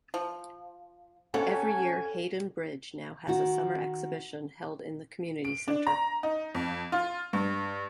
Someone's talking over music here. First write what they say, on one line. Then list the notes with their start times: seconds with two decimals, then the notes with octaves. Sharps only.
Every year Haydon Bridge now has a Summer Exhibition held in the community centre.
0.14 F3
1.34 C3 F#3 C#4 A4 C#5 F#5 G#5
3.27 D#3 F#4
5.45 D7
5.68 D4
5.87 A#5
6.23 D#4
6.55 F2
6.92 F4
7.33 G2